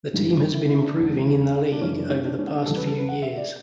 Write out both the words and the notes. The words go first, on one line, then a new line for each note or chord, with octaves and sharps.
The team has been improving in the League over the past few years.
G1 G2 E3 G3
E4
E4
D4
E1 E2 D3
D4
F#2 C#3 E3 C#4
D4
C#4
D4
C#4
D4
E2 C#3 G3 A4
B4
A4
B4
F#5
E5
D5